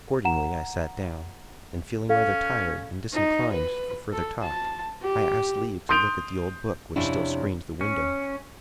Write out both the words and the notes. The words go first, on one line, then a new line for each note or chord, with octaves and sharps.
Accordingly I sat down, and feeling rather tired, and disinclined for further talk, I asked leave to look at the old book which still screened the window.
F#5 A#5 E7
C#4 A4 F5
D#4
B4
A4
A5
G4
C6 D#6 G6 D7 F7
F2 C3 C#4 D4 E4
C#4